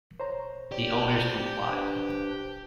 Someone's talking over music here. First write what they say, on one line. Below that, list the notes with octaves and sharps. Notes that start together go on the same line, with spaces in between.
The owners complied.
C5 C#5 A#5
G4 C5 D5
D4 B4 C5